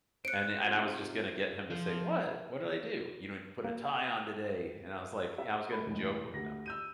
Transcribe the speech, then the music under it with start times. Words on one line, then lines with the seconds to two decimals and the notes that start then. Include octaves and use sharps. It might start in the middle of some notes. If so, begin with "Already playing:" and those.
And it I was just gonna get him to say, "What? What did I do?" You know, and put a tie on today, and I was like, you know, I was gonna joke with him,
0.25 C5 F#6 C#7 D7
0.65 C3 D#4 F4
1.70 F3
3.64 A#3
5.38 E5
5.70 A3 B5
5.86 E1 A2 G#3
6.34 D2 G4 A#6
6.66 E6 G6 D#7